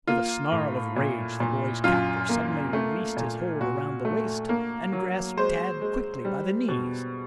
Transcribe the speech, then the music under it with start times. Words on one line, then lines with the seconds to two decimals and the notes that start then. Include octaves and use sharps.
With a snarl of rage the boy's captor suddenly released his hold around the waist and grasped Tad quickly by the knees.
0.07 A#3 F4
0.52 A2
0.96 A#2
1.40 A#2
1.84 F#2 F4
2.29 A#3
2.73 A3
3.17 A#2
3.61 A#2 F#4
4.05 A3
4.49 A#3
4.92 F#3
5.37 G#3 C5
5.81 G#3
6.25 G3
6.69 B2